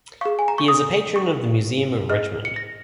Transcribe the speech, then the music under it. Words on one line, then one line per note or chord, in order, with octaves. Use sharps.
He is a patron of the Museum of Richmond.
G#4 F5 C#6
G#5
A#5
C#6
D#6
C#6
G#4 D#5 F6
C#7
A#6